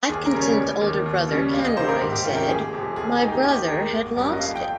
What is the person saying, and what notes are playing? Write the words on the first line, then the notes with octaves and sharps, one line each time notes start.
Atkinson's older brother Kenroy said My brother had lost it.
D#2 G#4
A#4
C#3 G3 C#4
C#5
F1
D#2 D#3
D#2
C#3 G3 C#4
C#2 F5
D#5
C3 D#3 A#3 D#4 C5
A#4
G#2 G4
G4
D#3 A#3 C#4 F4
G4
F1 G#4
F2 C3
D#2 G#4
G#4
D#3 A#3 D#4
G4
D#2 G4
D#3 G#3 A#4
G#1
G2 G3 A#3 C#4
D#5
F2 F5
G5